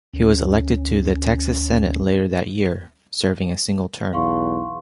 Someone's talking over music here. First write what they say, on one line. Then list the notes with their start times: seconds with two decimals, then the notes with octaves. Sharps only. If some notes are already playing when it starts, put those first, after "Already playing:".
He was elected to the Texas Senate later that year, serving a single term.
0.13 D2 C#4
4.13 B1 E2 F5 C6 C#6